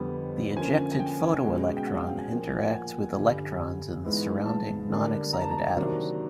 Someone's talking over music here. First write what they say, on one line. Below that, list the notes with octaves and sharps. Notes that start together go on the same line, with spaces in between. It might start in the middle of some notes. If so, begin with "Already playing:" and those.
The ejected photoelectron interacts with electrons in the surrounding non-excited atoms.
Already playing: F2 D3 G3 B3
D3 F3 A#3 C#4 G#5
G#5
G5
B2 G#3 C#4
G5
F#5
F5
G5
G#5
A#2 F3 A#3
F#5
G5
G#5
G2 D3 G3
G#2 E3 G#3 B3
A5
D3 G3 A#3 D4
A#5
A5
A#5
C3 D#3 F#3 A#3 D4